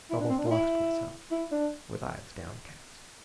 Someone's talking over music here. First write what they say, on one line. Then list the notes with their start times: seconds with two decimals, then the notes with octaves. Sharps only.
And almost lost myself with eyes downcast.
0.11 E4
0.20 D4
0.29 C4
0.39 D4
0.46 F4
0.51 E4
1.31 E4
1.52 D4